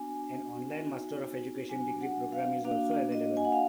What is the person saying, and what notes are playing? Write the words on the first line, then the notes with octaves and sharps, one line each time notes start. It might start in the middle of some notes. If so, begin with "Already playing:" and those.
An online Master of Education degree program is also available.
Already playing: B3 D4 F#4 G#5
B3 D#4 F#4
F#3 D4 F#4 G#5
F#5
F5
A#3 D4 F#4 F5
D#5
G#5
F#5
F5